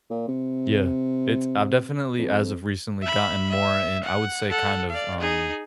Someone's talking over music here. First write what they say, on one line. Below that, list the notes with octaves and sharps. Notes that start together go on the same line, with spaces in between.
Yeah. It's I've definitely, as of recently, gotten more in I would say kinda, um
A#2
C3
F2
E5 B5
E5
F#5
A4 F#5
D5 F5
D#4 G#4